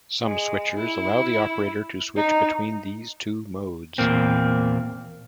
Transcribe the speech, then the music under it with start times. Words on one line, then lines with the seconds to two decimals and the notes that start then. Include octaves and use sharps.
Some switchers allow the operator to switch between these two modes.
0.23 G#3
0.78 E4
2.16 D#4
3.98 E2 A#2 A#3 C4